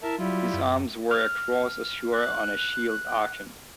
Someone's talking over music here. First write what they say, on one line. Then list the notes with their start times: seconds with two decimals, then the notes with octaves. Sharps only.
His arms were a cross azure on a shield argent.
0.03 E4 A#4 E5 A5
0.19 F#3 G3 E4 F4
0.54 F#2
1.11 F6
2.12 F#6